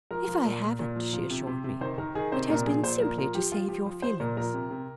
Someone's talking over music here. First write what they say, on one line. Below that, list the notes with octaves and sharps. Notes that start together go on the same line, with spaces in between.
"If I haven't," she assured me, "it has been simply to save your feelings."
F3 A#4
F3
A#2
A#2
A#2
F3
F3
C3
C3
C3
D#3 C5
D#3 A#4
D#3 G#4
C3 C5
A#2 A#4
F3 G#4
A#2 C5
F3 A#4
F3 A#4
F3 G4
F3 F4
F3 G4
F3
F3 C5
A#2 A#4
F3 A#4
C3
C3